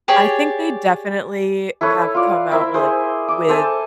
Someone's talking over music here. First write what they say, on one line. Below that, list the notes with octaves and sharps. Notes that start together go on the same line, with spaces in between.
I think they definitely have come out with, like with
G4 G#4 C#5 D5
E4 A4 B4 C#5
F4 D5
E4 A#4 C5 E5
G#4 C5
D6
A4 C5 G#5 A5